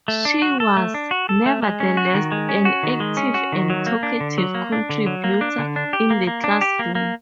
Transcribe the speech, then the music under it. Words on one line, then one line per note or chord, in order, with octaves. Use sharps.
She was, nevertheless, an active and talkative contributor in the classroom.
A3
D4
F#4
A4
A3
D4
F#4
A4
A3
G#3
C#4
F#4
D#3
G#3
C#4
F#4
D#3
G#3
C#4
F#4
D#3
F#3
A#3
D4
D3
F#3
A#3
D4
D3
F#3
A#3
D4
D3
D4
G4
A#3
A#3
D4
G4
A#3
A#3